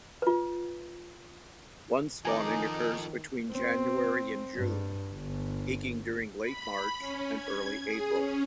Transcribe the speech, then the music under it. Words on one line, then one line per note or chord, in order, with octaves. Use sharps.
One Spawning occurs between January and June, peaking during late March and early April.
F4 B4
D#3 F3 D#4 A4 G#5 A#5 D6
C4
G2
G1
B5
C#4
G#6
G#4
C#4